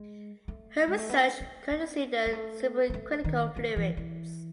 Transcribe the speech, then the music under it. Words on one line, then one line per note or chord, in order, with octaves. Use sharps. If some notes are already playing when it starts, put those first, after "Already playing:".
Her research considered supercritical fluids.
Already playing: G#3
A3
G#3
A3
B3
A3
B3
G#3
A3
B3
A3
D#3
D#3
E3
E3